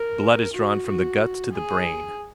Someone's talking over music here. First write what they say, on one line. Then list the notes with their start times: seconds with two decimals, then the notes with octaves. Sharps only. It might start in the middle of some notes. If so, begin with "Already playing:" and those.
Blood is drawn from the guts to the brain.
Already playing: A#4
0.53 F#4
0.86 F#4
1.53 G#4